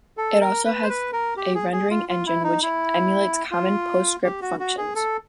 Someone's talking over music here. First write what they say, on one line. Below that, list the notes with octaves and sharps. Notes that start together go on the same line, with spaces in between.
It also has a rendering engine which emulates common PostScript functions.
A4
A#4
B4
C5
B4
A#4
G4
G#4
G#4
F4
F4
E4
D#4
E4
F4
G4
F#4
F#4
G#4
A4